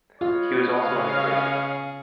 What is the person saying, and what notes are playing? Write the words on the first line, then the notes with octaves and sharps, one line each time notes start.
He was also an engraver.
F4 B4 C#5 D#5
C#3 C#4 G#4 F5